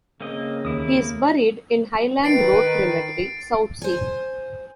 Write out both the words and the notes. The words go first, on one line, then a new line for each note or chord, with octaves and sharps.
He is buried in Highland Road Cemetery, Southsea.
C#3 A#3 C4 D#5
D#2 A#3 E4 D#6
D#3 B4 A6 C7 D7
C5 G#5